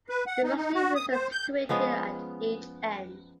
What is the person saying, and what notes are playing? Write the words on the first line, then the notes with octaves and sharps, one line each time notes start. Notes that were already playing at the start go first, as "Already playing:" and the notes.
The rustic rooms are situated at each end.
B4
F#5
D#4
D#4
F#4
D#6
C5
G6
F3 G#3 B3 C#4